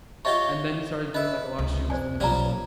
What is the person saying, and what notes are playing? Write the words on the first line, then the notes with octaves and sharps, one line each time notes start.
and then he started doing, like, a lot of shoots for him and stuff,
F4 G4 C#5 D#5 E5 C#6
B4 D#5 E5
C#2
F2 C5 D5 G#5
B1 F3 G3 C#4 D5 A#5